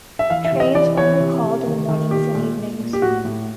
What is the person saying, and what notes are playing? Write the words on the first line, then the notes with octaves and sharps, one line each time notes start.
Trains only called in the mornings and evenings.
E5
E3 F5
E5
C3
D#5
E3 D5
E3 C#5
C3
C3
D#3
D#3
A#2 G4
A#2
A#2
A#2
G4
A2 F#4
A2